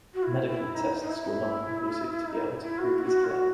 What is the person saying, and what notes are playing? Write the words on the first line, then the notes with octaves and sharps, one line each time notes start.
Medical tests were not conclusive to be able to prove his claim.
F#4
E4
E4
D#4
D#4
E4
D#4
E4
E4
F#4
E4
F#4
E4
F#4